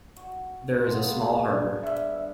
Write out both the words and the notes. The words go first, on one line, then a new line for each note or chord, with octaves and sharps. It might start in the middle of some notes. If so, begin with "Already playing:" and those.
There is a small harbour.
F#4
C3 G#3 A#3 B3
G3 D4 G#5
G2 E5